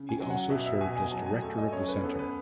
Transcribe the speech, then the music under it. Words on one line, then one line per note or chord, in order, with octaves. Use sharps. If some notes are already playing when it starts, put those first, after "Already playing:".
He also served as director of the Center.
Already playing: C#3
G#5
F#3
F#5
B2 E5
E5
B2 G#5
G#5
F#3 A5
G#5
A3 G#5
D#5
F#2 C#5
B4
B3 A4
B4